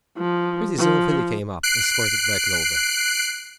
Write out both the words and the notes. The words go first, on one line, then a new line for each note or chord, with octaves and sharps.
Pretty soon Philly came up, escorted by Clover.
F3
F3
F#6 C7 D7